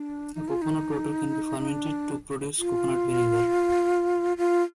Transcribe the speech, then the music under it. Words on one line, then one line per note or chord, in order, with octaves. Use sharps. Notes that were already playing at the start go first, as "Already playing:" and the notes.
Coconut water can be fermented to produce coconut vinegar.
Already playing: D4
D#4
F4
D#4
D#4
D4
F4
F4